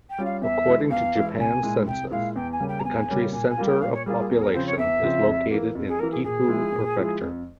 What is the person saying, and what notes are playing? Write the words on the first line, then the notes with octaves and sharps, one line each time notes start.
According to Japan's census, the country's center of population is located in Gifu Prefecture.
G5
G3 C#4 F4
F5
E2 E5
E3 G#3 E4
E2 F5
E3 G#3 E4
C2 G#5
A#2 G#3 E4
C2 G5
A#2 G#3 E4 F5
E2 G5
G#5
C#3 G3 A#3 C#4
G5
A#5
E2 G#5
C#3 G3 A#3 C#4
A#2 G#5
G#5
G3 A#3 F4
G5
A#2 F5
C#5
G3 A#3 F4 G#4
G#4
E2 A#4
G#4
A#4
C#3 F3 C4 C5
C#5
E2 E5
C#3 F3 C4
F2
E3 A#3
F2
G#4
E3 A#3 A#4
G#4
A#2 G#4
F3 G#3 E4
A#2
F3 G#3 E4
F2